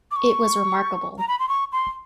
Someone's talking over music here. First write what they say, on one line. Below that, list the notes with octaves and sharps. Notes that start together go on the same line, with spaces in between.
It was remarkable.
D6
C#6
A#5
B5
C6
C#6
C6